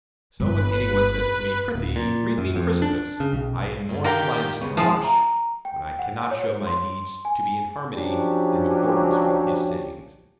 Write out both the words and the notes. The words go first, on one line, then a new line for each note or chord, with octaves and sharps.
So when any one says to me, Prithee, read me Chrysippus, I am more inclined to blush, when I cannot show my deeds to be in harmony and accordance with his sayings.
G1 B4
D1
A#2
F#2
F2
D4
C#3
B1
G2
D#3 G4 A#4 F5 F#5 G6
C#3 G#3 B3
F3 G#3 E4 C5 F5
A#5
G5
F#5
C#5
C6
G#5
F3 F#3 C#4 D4 G4